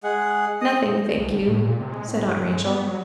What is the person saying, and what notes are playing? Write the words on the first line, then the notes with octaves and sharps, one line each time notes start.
"Nothing, thank you," said Aunt Rachel.
G#3 G#4 F#5
D#5 D#6
C2
G1
A2
A#2
C3
G#3
A2
G2
G#3
B3
F#3